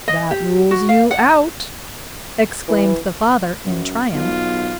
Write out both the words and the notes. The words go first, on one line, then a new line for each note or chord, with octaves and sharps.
"That rules you out!" exclaimed the Father, in triumph.
D#5
G4
F#4
F5
F#5
E3
F#2
B1 F4